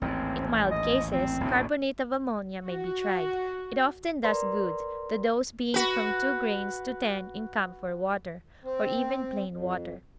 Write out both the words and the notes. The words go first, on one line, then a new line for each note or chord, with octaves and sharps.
In mild cases carbonate of ammonia may be tried; it often does good, the dose being from two grains to ten in camphor water, or even plain water.
A1 D#2 G#2 C4
D#5
C4
A1 D2 B2
F#4
A#4 B4 D5 A#5 C6
F#4 B4
C4
F2